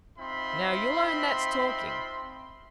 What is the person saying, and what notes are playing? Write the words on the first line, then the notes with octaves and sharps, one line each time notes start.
Now, you'll own that's talking.
C4 D#4 F4 E5 B5 C6